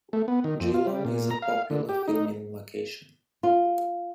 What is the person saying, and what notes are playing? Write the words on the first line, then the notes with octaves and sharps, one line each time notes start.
Geelong is a popular filming location.
A3
B3
D#3
F2
F4
G3
A#2
A#5
F5
D3
G4
D#4
F4